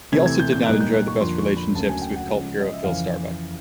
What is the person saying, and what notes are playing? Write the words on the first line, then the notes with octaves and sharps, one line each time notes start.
He also did not enjoy the best of relationships with cult hero Phil Starbuck.
C3 E3 A3 C4 E4 G#6
G#6
G6
G6
A#2 G3 A#3 D#4 F#6
G6
F#6
C#6
F2 D3 F3 A#3 D4 C6
C#6
B5
D2 C#3 F#3 A#3 C#4 A5
G#5
G5
F#5
C#3 F3 G#3
D#5
E5
F2 C#3 E3 F5